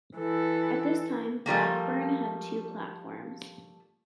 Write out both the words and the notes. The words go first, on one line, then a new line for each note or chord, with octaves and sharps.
At this time, Blackburn had two platforms.
E3 A4
F3 G3 A3 A#3